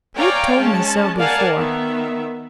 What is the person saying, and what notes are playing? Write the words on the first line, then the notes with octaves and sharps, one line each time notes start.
"You told me so before."
C#5 D5 F5 G5 G#5 A#5
G#3 C#4 A5
A#4 D5 F5 F#5 G#5 A5
D#3 B3 E5